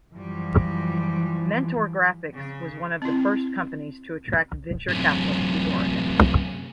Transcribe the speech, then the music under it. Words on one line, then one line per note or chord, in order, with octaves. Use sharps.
Mentor Graphics was one of the first companies to attract venture capital to Oregon.
F#2 E3 F3 G3
C#3
C4 E4
F#2 C3